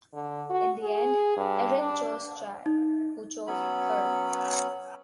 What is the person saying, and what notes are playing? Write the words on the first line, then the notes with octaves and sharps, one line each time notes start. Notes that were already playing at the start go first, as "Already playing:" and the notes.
In the end, Erin chose Chad, who chose her.
D3
F#4
G#4
G2
D4
D#4
F#3 B3 C#4 B5